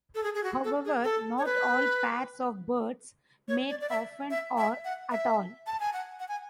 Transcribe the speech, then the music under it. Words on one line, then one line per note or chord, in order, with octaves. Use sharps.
However, not all pairs of birds mate often or at all.
A4
G#4
G#4
F#4
A4
G#4
A4
C#5
B4
C#5
D5
D5
E5
E5
E5
F#5
E5
A5
G#5
F#5
F#5
G#5